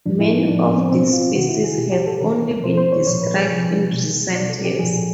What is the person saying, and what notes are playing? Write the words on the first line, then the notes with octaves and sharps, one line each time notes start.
Many of these species have only been described in recent years.
A2 F3 D4
E4
D#4
A2 F3 D4
B3
C4
B2 C4
F4
C3 D#3 F#4
E4
G#4
B2 G4
G4
A4
C3 E3 A#4
B2 C5
C5
C#5
A#2 F3 C#5
B4
G#4
C3 F3
B2
B2 D5
A4
G4
A#2 F3 G#4